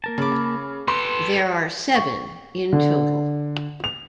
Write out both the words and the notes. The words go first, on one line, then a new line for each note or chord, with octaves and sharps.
There are seven in total.
A#3 A#4 A5
C#3 B5 D6
G4 A4 B4 C6
C#6
D3
F7